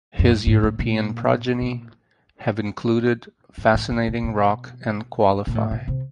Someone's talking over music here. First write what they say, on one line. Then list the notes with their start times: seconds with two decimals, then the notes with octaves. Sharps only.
His European progeny have included Fascinating Rock and Qualify.
0.19 F#2
0.30 G2
0.47 G#2
0.63 A2
0.79 A#2
1.61 A#2
3.58 G#2
3.75 A2
3.91 D3
4.08 B2
4.24 B2
5.47 A#2
5.55 A2
5.71 B2
5.88 C3